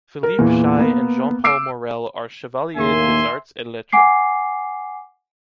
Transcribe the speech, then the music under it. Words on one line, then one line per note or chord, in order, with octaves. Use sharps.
Philippe Chaix and Jean-Paul Morel are chevaliers des Arts et Lettres.
A#4
E2 A#2 E3
A#3 B3
D6 E6 C7 D7
D#2 A2 A#3 E5 G#5 C6
F#5 G#5 D6 C7